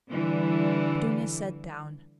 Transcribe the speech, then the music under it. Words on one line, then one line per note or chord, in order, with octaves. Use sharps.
Dounia sat down.
D3 E3 G3